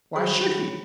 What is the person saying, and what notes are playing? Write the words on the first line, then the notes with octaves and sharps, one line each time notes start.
Why should he?
D#3 F#3 G3 G#4 C5 C#5 B5